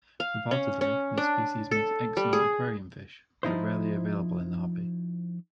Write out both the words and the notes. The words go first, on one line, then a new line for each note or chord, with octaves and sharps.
Reportedly this species makes excellent aquarium fish but are rarely available in the hobby.
F5
C#4
C#4
D4
A4
G3
G#4
F3 D#4 E4 C5